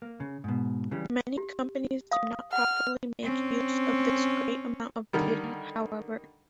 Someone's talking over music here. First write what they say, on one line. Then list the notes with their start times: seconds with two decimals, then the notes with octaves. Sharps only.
Many companies do not properly make use of this great amount of data, however.
0.02 A#3
0.20 C#3
0.44 G#2 B2
0.91 C#3 E3 G3
1.38 G4
2.11 F5 D#6
2.53 F#5 F6
3.22 C4 C#4
5.13 D3 D#3 G3